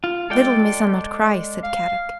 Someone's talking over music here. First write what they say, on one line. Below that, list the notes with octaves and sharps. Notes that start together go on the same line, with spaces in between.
"Little Missa not cry," said Kadok.
F4
G#3 A4 D5 G5
F5